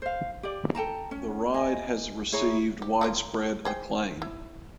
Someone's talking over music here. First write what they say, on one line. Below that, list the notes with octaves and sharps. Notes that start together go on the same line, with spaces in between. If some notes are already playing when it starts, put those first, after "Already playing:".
The ride has received widespread acclaim.
C5 F5
G4 D5
A4 G5 A5 A#5
C#4
D#5 G#5
E4 G#4 C#5 A#5
G4
A3 A#3 F4
G#4 C5 G5
E4